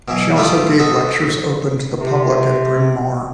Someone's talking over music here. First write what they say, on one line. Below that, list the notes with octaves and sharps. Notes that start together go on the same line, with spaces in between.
She also gave lectures open to the public at Bryn Mawr.
B2 E3 F#3
G3 A3 F4 E5 D#6
F#4 A4 D#5
C3